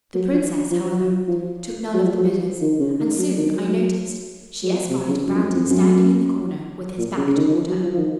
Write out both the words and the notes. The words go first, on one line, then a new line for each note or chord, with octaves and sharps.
The princess, however, took none of the bidders, and soon, I noticed, she espied Brandon standing in the corner with his back toward her.
F#3
F3
F3
F#3
F3
F#3
F3
F#3
F3
F3
D#3
C#3
D#3
F#3
D#3
F#3
F#3
F3
C3
C#3
F#2
F2
F#2
F2
F#2
A#2
C#3
C#3
D#3
D#3
F3
F#3
F3
F3
D#3